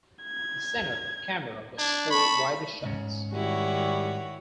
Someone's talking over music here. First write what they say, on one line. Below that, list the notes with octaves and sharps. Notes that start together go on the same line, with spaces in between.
The center camera was for wider shots.
G#6
D4 G#6
A5 B5 C#6
G#2 C#4
D#3 G3 E4 F#4 C#5